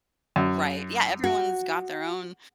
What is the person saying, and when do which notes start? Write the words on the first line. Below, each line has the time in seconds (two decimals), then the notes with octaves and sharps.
Right, yeah, everyone's got their own
0.36 F#2
1.24 F#4